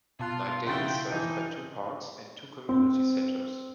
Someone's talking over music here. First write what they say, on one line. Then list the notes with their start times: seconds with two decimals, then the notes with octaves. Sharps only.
Knightdale is served by two parks and two community centers.
0.20 B2 F4 A5 F#6
0.67 C#3 B3 E4 G5 C6 A6
1.10 E3 D#4 G6
2.69 C4